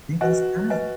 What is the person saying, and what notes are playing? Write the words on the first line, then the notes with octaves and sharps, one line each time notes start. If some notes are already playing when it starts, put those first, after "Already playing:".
be just kin
F#4 B4 D#5 G#5
B4 D#5 G#5